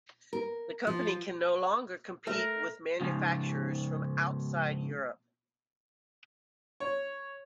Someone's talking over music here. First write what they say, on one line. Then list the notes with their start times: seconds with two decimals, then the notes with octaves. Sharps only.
The company can no longer compete with manufacturers from outside Europe.
0.33 A#4
0.87 F3
2.27 A3 A#4
3.00 G#2 C#3 F3
6.80 C#5